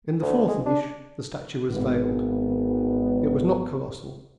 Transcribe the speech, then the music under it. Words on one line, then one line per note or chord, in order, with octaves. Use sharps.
In the fourth niche the statue was veiled; it was not colossal.
D2
G#3
D4
G#1 B3